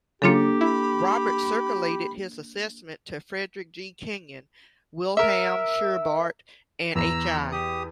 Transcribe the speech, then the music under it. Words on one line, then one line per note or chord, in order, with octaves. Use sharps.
Roberts circulated his assessment to Frederic G. Kenyon, Wilhelm Schubart and H. I.
C#3 F#3 A#3 D4 F4 G4 A4
E4 B5
A#4 E5
E2 A#5 E6
G4 D#6